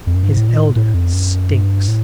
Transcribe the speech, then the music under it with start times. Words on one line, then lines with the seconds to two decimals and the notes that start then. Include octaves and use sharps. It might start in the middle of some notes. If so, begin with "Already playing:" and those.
"His elder stinks."
0.07 F2
0.15 F#2
0.23 G2
0.30 G#2
0.37 A2
0.49 A#2
0.57 A2
0.76 A2
0.94 F2
1.13 F#2
1.50 G2
1.88 A2